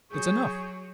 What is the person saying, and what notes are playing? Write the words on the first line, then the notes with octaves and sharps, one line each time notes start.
It's enough.
F#3 G#4 C#6 G6